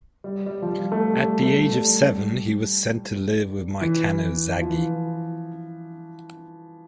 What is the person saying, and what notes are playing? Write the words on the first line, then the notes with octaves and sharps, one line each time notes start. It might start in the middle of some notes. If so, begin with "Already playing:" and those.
At the age of seven, he was sent to live with Maikano Zagi.
G3
G3
F3
G3
A3
G3
A3
G3
E3
F3
E3